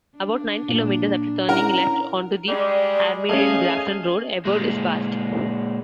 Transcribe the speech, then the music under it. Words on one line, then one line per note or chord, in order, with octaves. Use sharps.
About nine kilometres after turning left onto the Armidale Grafton road Ebor is passed.
D4
A#2
C#4 E4 A#4 F#5
G3 G#3 D5
A3 C#4 G#4 D#5 F5 G#5
A#2 G#3